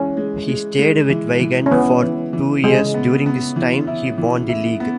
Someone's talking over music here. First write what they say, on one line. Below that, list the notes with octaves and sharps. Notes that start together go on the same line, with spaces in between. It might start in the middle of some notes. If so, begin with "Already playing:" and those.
He stayed with Wigan for two years during this time he won the league.
Already playing: E3 G#3 C#4
G#3
G#3
G#3
E3
E3
C#4
E3 B3
E3
E3
C#3 G#3
B3
B3
E3
E4
E3
E4
B3